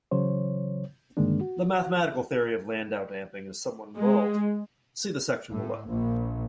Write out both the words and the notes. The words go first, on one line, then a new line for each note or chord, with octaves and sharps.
The mathematical theory of Landau damping is somewhat involved-see the section below.
C#3 E3 F#3 C5 C#5
G2 D3 D#3 G#3 A#3 D4
F#4
G#3
A2
A#1